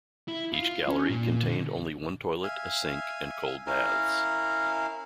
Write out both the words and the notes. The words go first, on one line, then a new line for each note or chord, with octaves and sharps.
Each gallery contained only one toilet, a sink and cold baths.
E4
F4
C#4
A#2
D3
E5 F5 G#5
C#4 E4 A#4 F5